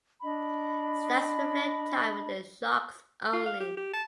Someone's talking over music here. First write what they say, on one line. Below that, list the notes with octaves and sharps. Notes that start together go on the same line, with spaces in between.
Stats reflect time with the Sharks only.
D4 D#5 B5
F4
F5
G4
G4
A5